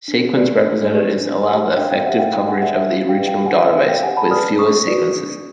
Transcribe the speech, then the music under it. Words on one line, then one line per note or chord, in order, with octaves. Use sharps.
Sequence representatives allow the effective coverage of the original database with fewer sequences.
D4
G4 B4 D5
D4
G4 B4 D5
D4
G4 C5
D4 F5 G5
F5 G5
G4 C5 E5 F#5
F5 G5
D#4 F5 G5
F#5 G#5
G4 B4 D5 E5 F#5
E5
D#4 F5
F5 G5
G4 B4 D5
F5 G5
G4 F#5 G#5
E5
B4 D5 F5
F5 G5
G4 F#5 G#5
A5 B5
B4 D5 D#6 F6
D4 C#6 D#6
F#4 B4 D5
D4